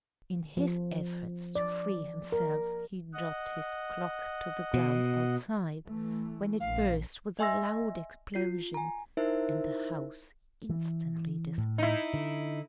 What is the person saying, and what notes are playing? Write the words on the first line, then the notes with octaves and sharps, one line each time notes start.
In his efforts to free himself he dropped his clock to the ground outside, when it burst with a loud explosion, and the house instantly disappeared.
F3
D5
A#4
D#5 F#5
B2
E3 A3
A#1 F5
D#5 E5 G#5 C6 E6 A#6
F4 C7
G#5 A#5
D#4 E4 A#4 C5 E5
E3
A2
D#4 E4
D3